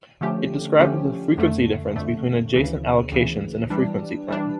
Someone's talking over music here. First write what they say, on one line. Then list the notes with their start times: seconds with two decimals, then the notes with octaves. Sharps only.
It describes the frequency difference between adjacent allocations in a frequency plan.
0.21 D3 F3 A3 C#4 G4
0.79 D3 F3 A3 C#4 G4
1.38 F2 D3 A3
1.96 F2 D3 A3
2.54 D2 C#3 E3
3.12 D2 C#3 E3
3.70 E3 G3 D4
4.28 E3 G3 D4